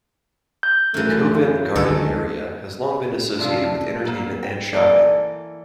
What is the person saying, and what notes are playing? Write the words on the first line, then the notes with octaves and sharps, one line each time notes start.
The Covent Garden area has long been associated with entertainment and shopping.
G6
F#2 E3 A3
C#3
D2 D3 D#3 G#3 A4
A2 C3 F3 D4 F4
F#3 A#3
G5
E3 A#3 A4 D5